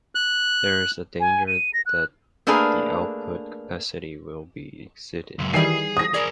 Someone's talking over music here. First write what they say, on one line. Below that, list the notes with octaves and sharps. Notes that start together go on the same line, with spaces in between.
There is a danger that the output capacity will be exceeded.
F#6
G#5
D#7
A#6
F#6
A3 A#3 D4 G#4 A#4 B4
C#2 F#2
D#3 E3 G3 G#4 G#5 C7
D#6 A#6
G#4 A#4 D5 G#5